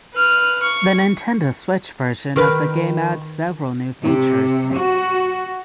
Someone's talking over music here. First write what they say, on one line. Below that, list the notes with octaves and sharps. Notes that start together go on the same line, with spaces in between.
The Nintendo Switch version of the game adds several new features.
B4 F6
C#6
D#3 A#4 B4
C3
F#4